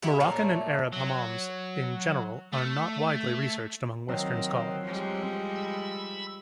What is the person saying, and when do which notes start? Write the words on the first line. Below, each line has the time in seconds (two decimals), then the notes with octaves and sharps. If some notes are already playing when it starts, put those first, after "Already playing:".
Moroccan and Arab hammams in general are not widely researched among Western scholars.
0.02 E4 F#4 G4 C5
0.20 A#2 A3 C#5
0.92 F#3
2.53 A3
4.09 D#3 F#3 C4
4.85 F3 G3 G#3
5.56 B5 E6